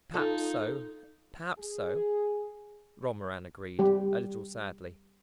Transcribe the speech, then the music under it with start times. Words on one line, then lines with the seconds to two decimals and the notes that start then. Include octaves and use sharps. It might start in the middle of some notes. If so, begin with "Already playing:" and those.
"Perhaps so, perhaps so," Romarin agreed a little sadly.
0.14 D#4 F4 A4
1.59 G#4
3.79 G3 G4